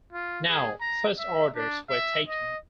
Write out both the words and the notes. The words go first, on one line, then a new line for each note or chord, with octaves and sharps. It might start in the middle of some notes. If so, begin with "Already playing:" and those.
Now, first orders were taken.
F4
G#4
A#5
E5
D4
E5
D#5